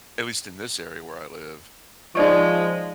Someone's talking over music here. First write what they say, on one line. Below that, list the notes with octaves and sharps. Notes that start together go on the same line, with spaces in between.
at least in this area where I live
F3 G#3 D#4 D5 C#6